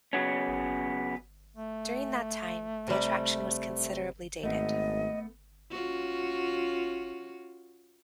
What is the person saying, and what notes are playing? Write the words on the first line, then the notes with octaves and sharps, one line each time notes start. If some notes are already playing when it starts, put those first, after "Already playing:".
During that time, the attraction was considerably dated.
C#3 F#3 B3 C#4
A3
C3 G3
G#1 A3 B3 D#5
C#4 F4 F#4